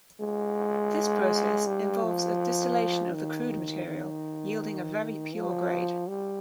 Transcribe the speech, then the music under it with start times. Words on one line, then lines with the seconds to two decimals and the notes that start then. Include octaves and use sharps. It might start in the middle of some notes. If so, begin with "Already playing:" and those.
This process involves a distillation of the crude material yielding a very pure grade.
0.20 G#3
1.66 G3
2.04 F3
3.14 D#3
3.87 D#3
5.34 F3
6.08 G3